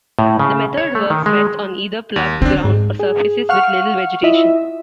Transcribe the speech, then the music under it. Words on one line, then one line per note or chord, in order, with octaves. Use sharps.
The method works best on either ploughed ground or surfaces with little vegetation.
A2
C#3
C#5
A3
D#3
G#3
D#2
D3 C4 D4
G#2
G#4
F5 F#5 C#6 F6
E4 F4 D#5 E5